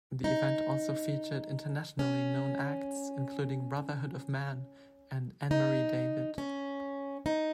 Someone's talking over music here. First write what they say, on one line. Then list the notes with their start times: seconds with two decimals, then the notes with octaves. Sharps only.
The event also featured internationally known acts including Brotherhood of Man and Anne-Marie David.
0.24 D#4
1.99 C#4
5.51 D#4
6.38 C#4
7.26 D#4